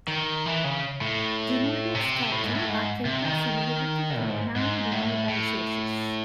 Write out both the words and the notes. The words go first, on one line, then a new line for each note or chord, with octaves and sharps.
"Demodex cati" are treated similarly to canine demodicosis.
D#3
E3
C#3
A2
C3
A2
G#2
A2
G#2
C3
D#3
A2
G#2
G#2
A2
A2